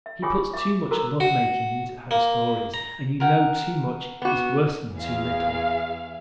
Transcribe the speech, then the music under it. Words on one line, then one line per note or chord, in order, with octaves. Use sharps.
She puts too much lovemaking into her stories and you know too much is worse than too little.
E5
F4 G4 C#5 G#5 D6 D#6
E5 D6
F#4 A4 A#4 C5 A#5
F#4
A#3
A#5
A#4 F#5 G5
B3 F#4
E2 G#4 F5